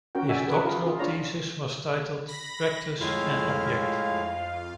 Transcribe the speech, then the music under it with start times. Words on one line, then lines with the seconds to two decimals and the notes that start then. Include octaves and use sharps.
His doctoral thesis was titled "Practice and Object".
0.15 C#4 F#4 A#4 G5
0.29 F#4 D5 E5 G5 G#5
0.47 G#4 A#4 B4 D6
0.65 E4 F4 G#4 A#4 F5
0.83 F4 G#4
0.99 D4 F4 C#5 D5 F5 A#5
2.28 B5 A#6
3.00 F2 A2 G#3 E4 F4 F5